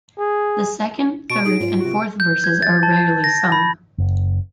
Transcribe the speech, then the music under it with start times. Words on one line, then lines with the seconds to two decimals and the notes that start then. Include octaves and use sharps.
The second, third and fourth verses are rarely sung.
0.19 G#4
1.30 B2 A5 C#6 D7
1.45 D#4 G#4
1.60 G#2 F4
1.80 C3 F#4
2.20 G6
2.44 G#6
2.62 A6
2.83 A5
3.24 A#6
3.52 B5
3.98 F#1